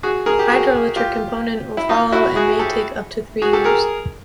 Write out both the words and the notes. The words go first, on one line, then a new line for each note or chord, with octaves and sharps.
The hydroelectric component will follow and may take up to three years.
F#4 G#4
G#4 A#4
G4
F#4 G#4
F4 G4
E4
D#4 F4
E4 F#4
F#4 G#4
G4 A4
F#4 G#4
G4 A4
G#4 A#4